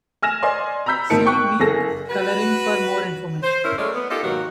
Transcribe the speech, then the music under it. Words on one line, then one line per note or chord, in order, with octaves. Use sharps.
See weak coloring for more information.
G#5 F6 A#6 E7
D5 D#5 G#5 C6
A#5 B5 E6 G6 B6
G#1 A#2 D#4 A#4 A5 C#7
G5 C#6 F#6
F#1 G#4 A4 A#6
F#4 B4
C5
C#4 E4 A#4
F#3 G#3 A3 A#4 C#5 D5
B3
D#4 F4 G4 A4 A#4 D#5
G#2 B2 D#3 F#3 A#3 F#4